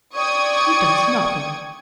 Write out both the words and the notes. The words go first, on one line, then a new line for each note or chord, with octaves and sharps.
He does--nothing.
D5 G5 C#6 D#6 G#6